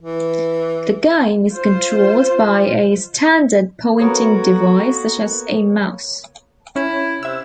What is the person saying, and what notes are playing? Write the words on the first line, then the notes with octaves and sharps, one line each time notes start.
The game is controlled by a standard pointing device such as a mouse.
E3
F4 C5
A#3 B3 F#4 A4 C#5 A#5
C#4 E4
C3 E5 E6